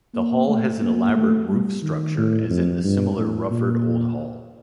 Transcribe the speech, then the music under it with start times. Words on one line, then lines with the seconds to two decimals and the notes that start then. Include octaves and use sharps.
The hall has an elaborate roof structure, as in the similar Rufford Old Hall.
0.14 A#3
0.48 A3
0.81 A#3
1.16 A3
1.49 G3
1.82 D#3
2.17 A2
2.49 F2
2.84 G2
3.17 A2
3.51 A#2